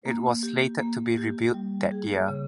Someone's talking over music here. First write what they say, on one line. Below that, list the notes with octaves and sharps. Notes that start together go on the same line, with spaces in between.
It was slated to be rebuilt that year.
A#3
G4
A#3
G4
G3
G#4
C#3